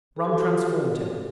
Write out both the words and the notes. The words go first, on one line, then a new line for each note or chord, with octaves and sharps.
Rum transformed him.
A4
G4
F#4
F4